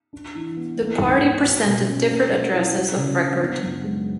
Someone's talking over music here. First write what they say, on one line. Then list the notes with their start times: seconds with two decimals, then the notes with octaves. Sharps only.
The party presented different addresses of record.
0.13 D4
0.35 E3
0.57 B3
0.78 E4
1.00 G#2
1.21 B3
1.44 F#4
1.65 B2
1.87 C#4
2.09 A4
2.31 F#3
2.53 E4
2.74 F#4
2.96 C#3
3.19 D4
3.40 B3
3.62 F#2
3.84 G#3